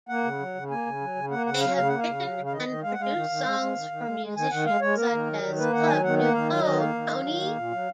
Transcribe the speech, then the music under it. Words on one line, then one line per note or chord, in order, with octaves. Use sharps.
They have written and produced songs for musicians such as Club Nouveau, Tony!
A#3 F#5
C#3
F#3
C#3
A#3 G#5
C#3
F#3
C#3
A#3 F#5
C#3 F#5
F#3 F5
C#3 F5
A#3 F#5
F5
C#3
F#3
C#3
F5
D#3 D#5
D#3
G#3 F5
F#5
G#3 F5
D#3
D#3
G#3
G#3
D#3
D#3
G#3
G#3
D#3 G#5
D#3 F#5
G#3 F5
G#3 C#5
A#3 A#4
D#3
F#3
D#3
A#3 B4
D#3 F#5
F#3 G#5
D#3 F#5
A#3 F#5
D#3 F5
F#3
D#3 D#5
A#3 F5
D#3
F#3
D#3
A#3
A#2
F#3